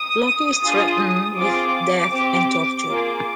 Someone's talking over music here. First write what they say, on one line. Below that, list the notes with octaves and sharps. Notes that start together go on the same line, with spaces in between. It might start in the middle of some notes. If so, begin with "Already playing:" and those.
Loki is threatened with death and torture.
Already playing: D#6
D4 F4 G#4
C4 F4 G#4 D6
C4 G4
A#3 F4 G#4